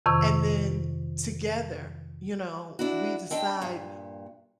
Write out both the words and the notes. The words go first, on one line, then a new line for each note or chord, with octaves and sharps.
and then together, you know, we decide
F2 C3 D#3 C#6 E6
D4 E4 F#4
C4 D4 D#5 G5 A5
G2 A#2